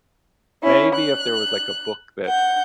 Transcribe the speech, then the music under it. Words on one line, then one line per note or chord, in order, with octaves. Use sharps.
Maybe if there was, like, a book that
C#4 E4
F#6
F#5 G6